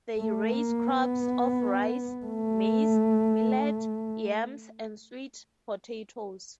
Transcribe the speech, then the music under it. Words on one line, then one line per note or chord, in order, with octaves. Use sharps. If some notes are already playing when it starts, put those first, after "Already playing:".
They raise crops of rice, maize, millet, yams, and sweet potatoes.
A3
A#3
B3
A3